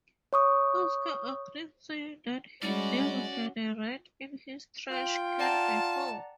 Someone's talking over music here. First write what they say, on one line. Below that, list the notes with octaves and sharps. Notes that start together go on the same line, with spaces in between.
Oscar agreed saying that he'd never had a rat in his trash can before.
C#5 C#6 D#6
G3 G#3 C#4 F#4 D5
F4 G5
D5 F#5 A5 A#5